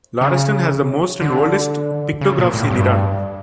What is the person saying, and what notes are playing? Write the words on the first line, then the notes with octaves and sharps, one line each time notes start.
Lorestan has the most and oldest pictographs in Iran.
C#3
D3
C#3
A#2
A2
G2